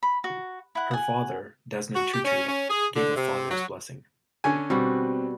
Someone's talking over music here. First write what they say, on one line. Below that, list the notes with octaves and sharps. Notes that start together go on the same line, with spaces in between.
Her father, Desmond Tutu, gave "a father's blessing".
B5
F#4
E4 F#5
F#5 G#5
F#4
G4
C#4
C#4
G#4
D3
C3
F#3
D3 C#4 G#5
B2 G3 C4 F#4